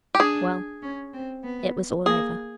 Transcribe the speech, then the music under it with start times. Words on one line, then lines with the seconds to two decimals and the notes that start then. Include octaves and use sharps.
Well; it was all over....
0.15 G4
0.20 D4 G#4
0.83 C#4
1.13 C4
1.44 B3
2.06 A#3 G#4